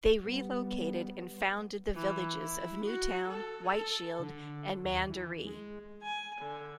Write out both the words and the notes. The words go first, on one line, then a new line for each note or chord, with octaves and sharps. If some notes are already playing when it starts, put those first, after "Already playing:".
They relocated and founded the villages of New Town, White Shield, and Mandaree.
G3 B3
E3
E4
F#4
A4
A4
D3
D#2
E3
G#3
G#5
D3